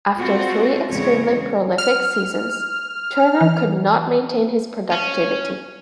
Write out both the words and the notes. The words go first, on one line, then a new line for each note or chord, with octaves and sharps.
After three extremely prolific seasons, Turner could not maintain his productivity.
G#3 C4 F4 F#4 A4 C5
E2 C#3 G#3 C4 C#5
F6
E3
C#4